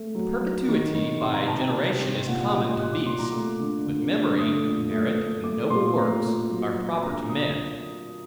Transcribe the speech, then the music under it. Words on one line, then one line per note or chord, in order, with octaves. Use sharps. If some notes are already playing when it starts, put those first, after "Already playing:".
The perpetuity by generation is common to beasts; but memory, merit, and noble works, are proper to men.
Already playing: A3
F#3
F#3
D#3
D#3
C3 C6
A#5
C3 A5
G5
C3
C3
A#2 F#5
F#5
G3 D#5
C6
A#2 F#6
D6
A#2 C6
A#5
A3 D6
D3
D3
D3
A3 D#6
A#2
A3
A3
A3 D6
A#2 C6
A3 A#5
A#2
F#3
F#3
D3 A#5
A#3 D#6